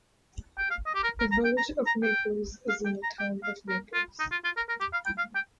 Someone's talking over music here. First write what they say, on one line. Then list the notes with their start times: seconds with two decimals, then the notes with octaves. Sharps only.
The Village of Naples is in the Town of Naples.
0.58 G5
0.70 F5
0.86 D#5
0.95 G4
1.03 A#4
1.20 A#4
1.32 A#5
1.45 G5
1.58 A#5
1.87 A#5
2.03 G5
2.69 F5
2.86 G5
3.03 A#5
3.19 G5
3.44 F5
3.69 A#4
3.94 F4
4.19 D#4
4.32 F4
4.44 F4
4.57 A#4
4.69 A#4
4.81 G4
4.93 F5
5.06 G5
5.18 F5
5.35 G5